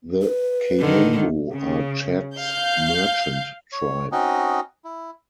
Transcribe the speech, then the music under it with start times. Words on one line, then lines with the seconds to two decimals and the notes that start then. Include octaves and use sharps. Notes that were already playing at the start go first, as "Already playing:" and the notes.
The Kanembu are Chad's merchant tribe.
0.22 B4
0.79 D3 D#3
1.53 C#3
2.37 F5 G6
3.72 C#5
4.12 C4 C#4 D#4 F#4 D#5
4.84 E4